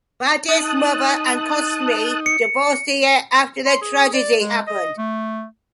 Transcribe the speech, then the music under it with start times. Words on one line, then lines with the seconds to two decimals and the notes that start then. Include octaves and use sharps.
Vadiz's mother and Cosme divorced a year after the tragedy happened.
0.49 D#4 A5 D#6 F#6
2.26 C#7
3.66 C6
3.82 G#4
4.14 D5
4.40 G#3
4.67 D#5
4.98 A3